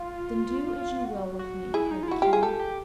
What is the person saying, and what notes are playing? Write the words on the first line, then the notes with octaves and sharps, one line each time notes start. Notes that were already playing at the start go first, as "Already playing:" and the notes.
"Then do as you will with me!" cried the king.
Already playing: F4
F#4
F#4
E4 G#4
D#4
F4
E4 F#4
F4 G4
G#4
G4 A4
G4